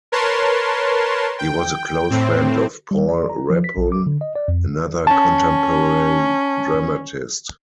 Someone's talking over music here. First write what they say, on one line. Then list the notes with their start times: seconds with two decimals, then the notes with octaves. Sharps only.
He was a close friend of Paul Rebhun, another contemporary dramatist.
0.12 A#4 B4 C#5 A5 C6
1.39 G5
2.11 A2 C4
2.91 G3
3.09 D5
3.29 A#5
3.50 F3
3.64 B6
3.77 A#1
3.92 D6
4.07 D3
4.21 D#5
4.36 D5
4.48 F2
5.07 C#4 A5